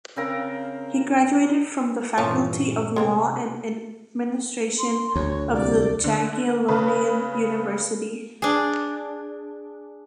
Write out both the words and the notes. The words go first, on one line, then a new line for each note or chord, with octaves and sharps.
He graduated from the Faculty of Law and Administration of the Jagiellonian University.
C#3 C4 A#4 F5
G2 A#2 E3 F3 C#4
C3 G#3 A#3 C4
C6
D2 C#5
C2 D5
D3
C#3 B4
D4 G#4